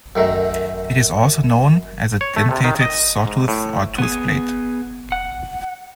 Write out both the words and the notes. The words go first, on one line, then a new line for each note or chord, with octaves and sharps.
It is also known as a dentated, sawtooth, or toothed blade.
F#2 D#3 A3
C#5
A3
C3
D#3
D#5
G#2
A2
B3 G#4
F#5